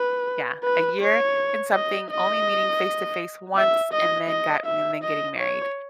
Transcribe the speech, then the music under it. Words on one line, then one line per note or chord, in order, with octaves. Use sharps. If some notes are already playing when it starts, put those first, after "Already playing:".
Yeah, a year and something, only meeting face to face once, and then got and then getting married.
Already playing: B4
B4
C#5
D#5
D#5
E5
D#5
D#5
E5
D#5
C#5